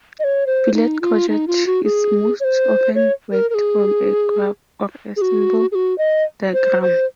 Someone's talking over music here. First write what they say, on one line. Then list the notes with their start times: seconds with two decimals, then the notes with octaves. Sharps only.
Filet crochet is most often worked from a graph or a symbol diagram.
0.19 D#5
0.24 C#5
0.47 C5
0.74 D#4
1.01 F4
1.29 D#4
1.48 F4
1.66 F#4
1.84 G#4
2.40 C#5
2.44 C5
2.95 C#5
3.32 A#4
3.50 A#4
3.54 G#4
5.17 G#4
5.22 F#4
5.72 G#4
5.75 F#4
5.98 D#5
6.54 C5
6.82 C5